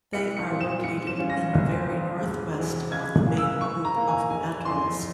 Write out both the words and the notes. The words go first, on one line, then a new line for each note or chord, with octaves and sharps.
They are located in the very northwest of the main group of atolls.
C2 C#7
C#7
A#2 G3 C4
E7
G#2 C#7
E7
E3 G3 C#4 F4
A#6
G1
G2 F3 C4
E1
E2 C3
C#2 G#6
C#3 E3 A#3
E6
G#2 C#6
A#5
E3 A#3
G#5
F1 G#5
F2 E3 C6